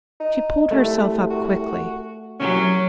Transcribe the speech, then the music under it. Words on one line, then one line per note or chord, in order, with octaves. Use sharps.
She pulled herself up quickly.
D#4
C2 A3
F#4
C2 F#3 C#4